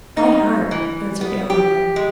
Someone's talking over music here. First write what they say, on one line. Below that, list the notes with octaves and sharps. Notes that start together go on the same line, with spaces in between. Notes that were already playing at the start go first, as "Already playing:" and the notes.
"By heart," answered Eleanor.
D#4
E3
B3
G4
G#3